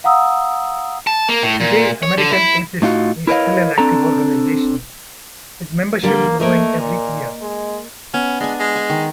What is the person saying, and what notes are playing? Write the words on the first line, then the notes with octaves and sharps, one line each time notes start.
Today American Atheists is still an active organization with membership growing every year.
F5 F#5 A#5 D#6 E6
A5
A#3
A2
A#2
C#5
D3
E4
A2 D#4 F4 F#4
E4 A#4 B4 C#5 D#5 F5
C4 D4 A4 A#5
D3 G3 A#3 A4
A3 A#3 A#4 D#5
A#2
G#3
B3 C#4
G#3 D4 G#5
G#3
G#5
D#3